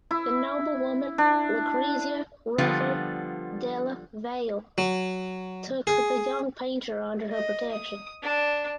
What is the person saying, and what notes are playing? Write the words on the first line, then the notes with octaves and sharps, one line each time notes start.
The noblewoman Lucrezia Ruffo Della Valle took the young painter under her protection.
E4
D4
D3 F3 G3 B3 F4
F#3
G#4
D#5
D#6
D4